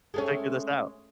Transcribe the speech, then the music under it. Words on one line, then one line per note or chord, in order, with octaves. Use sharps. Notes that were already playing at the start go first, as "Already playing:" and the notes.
figure this out.
G#3 A3 C#4